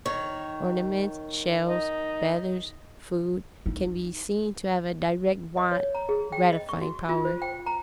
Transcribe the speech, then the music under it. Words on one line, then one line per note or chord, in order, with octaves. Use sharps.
Ornaments, shells, feathers, food can be seen to have a direct want-gratifying power.
D#3 C#5
D#4
D#4
D#5
C#5
A#5
G#4
G5
D#5
C#6
F#4
F4
C5
G5
A#5